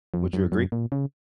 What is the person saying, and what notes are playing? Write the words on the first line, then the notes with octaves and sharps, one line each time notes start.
Would you agree?
F2
F#2
F#2
A#2
C#3